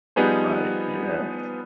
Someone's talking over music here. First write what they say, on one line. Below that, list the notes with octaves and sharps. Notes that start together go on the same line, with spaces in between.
Right. Yes.
F3 G3 B3 D#4 G#4 C5